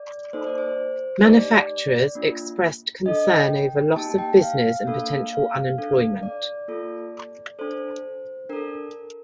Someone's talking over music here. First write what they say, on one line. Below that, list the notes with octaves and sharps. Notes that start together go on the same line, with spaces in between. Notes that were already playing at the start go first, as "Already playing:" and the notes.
Manufacturers expressed concern over loss of business and potential unemployment.
Already playing: D5
A#3 D#4 A4 C5
D5
C5
A3 D#4 G4 D5
A#3 D4 F4
D4 A4 D#5
G5
A#3 D#4 G4 A5
G5
F5
A#3 D4 A4
F5
D4 A4
D5
A#3 F4 A4
D4 A4 C5
D4 A4 A#4